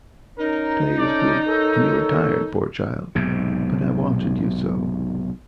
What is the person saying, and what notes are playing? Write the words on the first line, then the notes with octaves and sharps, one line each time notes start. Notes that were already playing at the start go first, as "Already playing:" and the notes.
"Clay is good, and you are tired, poor child; but I wanted you so."
C#4 D#4 A#4
C#4 A4 D5
A4 A#4 C#5
B1 G#2 C3